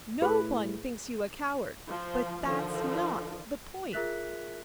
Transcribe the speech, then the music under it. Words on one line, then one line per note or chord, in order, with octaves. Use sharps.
No one thinks you a coward, but that's not the point.
A2 G#4 B4 D6
F3
D3 D#3 F3
F4 G#4 A#4 E5 F#6 B6